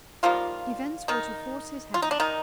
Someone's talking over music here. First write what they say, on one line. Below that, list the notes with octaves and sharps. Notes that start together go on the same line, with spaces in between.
Events were to force his hand.
D#3 F3 G3 A#3 F4
D#3 D#4
F4
D#4
D4
D#3 D#4